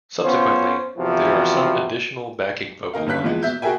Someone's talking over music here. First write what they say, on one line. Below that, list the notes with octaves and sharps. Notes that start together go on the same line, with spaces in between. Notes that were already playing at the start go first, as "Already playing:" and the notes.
Subsequently, there are some additional backing vocal lines.
B3 C#4 F4 C5
E2 C3 E3 F3 F#4
D#2 D#4 A#4 F5
G2 D3 C#4 F#6 B6
E2 F3 G#3
B2 E5 G6
F#4 G#4 A#4 E5 G5 G#5